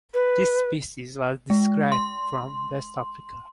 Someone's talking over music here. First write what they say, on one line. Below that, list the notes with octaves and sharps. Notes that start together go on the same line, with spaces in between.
This species was described from West Africa.
B4
G#3
C6